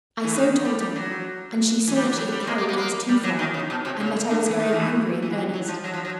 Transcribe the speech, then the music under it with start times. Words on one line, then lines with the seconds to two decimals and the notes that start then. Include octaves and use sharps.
I so told her, and she saw she had carried things too far, and that I was growing angry in earnest.
0.24 E3
0.34 D#3
0.65 G3
0.80 G3
0.96 F#3
1.87 E3
1.96 G3
2.01 F#3
2.17 F#3
2.32 G3
2.47 G#3
2.58 A#3
2.69 B3
2.78 A#3
3.09 G3
3.24 F#3
3.39 D#3
3.54 C#3
3.70 B2
3.85 C3
4.00 C#3
4.31 D3
4.46 E3
4.60 D#3
4.73 E3
5.23 E3
5.38 F#3
5.54 F#3
5.68 F3
5.84 F#3
5.94 F3
6.05 F#3